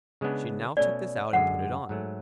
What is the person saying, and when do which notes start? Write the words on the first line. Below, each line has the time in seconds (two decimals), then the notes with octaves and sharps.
She now took this out and put it on.
0.21 C#3 G#3 B3 D4
0.77 B2 A3 C#4 D5
1.33 F#2 D3 G#3 F#5
1.89 G#2 F#3 A3